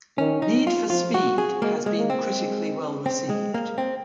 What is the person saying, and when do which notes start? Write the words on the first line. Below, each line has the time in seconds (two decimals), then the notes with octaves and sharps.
"Need for Speed" has been critically well received.
0.18 D#3 C#4
0.42 D#4
0.67 F4
0.90 F3 F4
1.14 F#4
1.38 G#4
1.62 G#3 A#3
1.86 G#3
1.98 A#3
2.10 C4
2.34 G#3
3.06 C4
3.29 G#3
3.54 A#3
3.78 C4